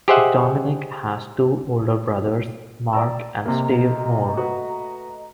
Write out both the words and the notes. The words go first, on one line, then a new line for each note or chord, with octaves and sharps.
Dominic has two older brothers: Mark and Steve Moore.
G4 G#4 C5 D#5 E5 F#5
D5 A#5 E6
C3 A3 A#3 D#5 A#5
F#4 B4